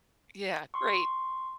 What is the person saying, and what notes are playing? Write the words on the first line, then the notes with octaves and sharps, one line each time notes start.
Yeah, great.
C6 C#6